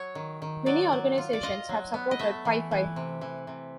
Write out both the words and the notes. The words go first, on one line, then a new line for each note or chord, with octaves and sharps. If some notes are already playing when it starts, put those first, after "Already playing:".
Many organisations have supported Phi Phi.
Already playing: F#3 C#5
D#3
D#3
F#3 D5
F#3
F4
D5
F4 D#5
F#3
B3
D#5
A3 E5
E3
E3
C3
E3
C3